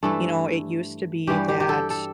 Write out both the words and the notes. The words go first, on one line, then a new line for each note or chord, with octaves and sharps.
You know, it used to be that,
G2 E3 A3 A4
G2 E3 G3 G4
G4
G4
A4
A4